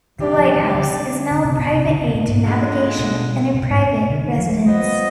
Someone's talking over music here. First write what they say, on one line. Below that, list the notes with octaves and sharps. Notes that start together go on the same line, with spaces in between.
The lighthouse is now a private aid to navigation and a private residence.
C3 D#3 G3 D4 G4 D5
F3
D#3
D3
D3
C3
B2
C3
D3
C3
B2
G#2
D3 F3 G#3
B2
C3
B2
G#2
B2
D3
D#3
F3
G#3
G3 B3 F4 C5 D#5